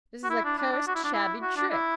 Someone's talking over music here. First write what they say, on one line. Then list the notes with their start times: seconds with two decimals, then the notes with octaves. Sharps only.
This is a cursed shabby trick!
0.24 F#4
0.30 E4
0.44 D4
0.58 D4
0.72 D4
0.87 F#4
0.95 E4
1.04 D4
1.14 E4
1.42 F#4
1.56 D4
1.71 E4